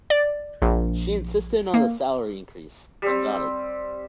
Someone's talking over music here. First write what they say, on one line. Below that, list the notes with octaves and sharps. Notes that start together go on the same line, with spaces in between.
She insisted on a salary increase, and got it.
D5
A#1
A#3
G3 C4